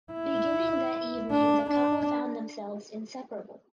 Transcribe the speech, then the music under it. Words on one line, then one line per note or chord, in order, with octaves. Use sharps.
Beginning that evening the couple found themselves inseparable.
E4
D4
D4